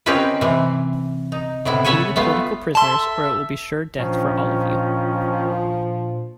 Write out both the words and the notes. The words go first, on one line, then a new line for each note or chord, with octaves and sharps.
Free the political prisoners or it will be sure death for all of you.
C4 C#4 D#4 G4 A#4 B4
C3 E3
D#4
A2 C3 B3 E4
A4 B4 C#5 E5 F#5 G#5
G3 A3 B3 F4
A4 E5 A5 C6
A#2 D#3 F3 C#4 D4 C5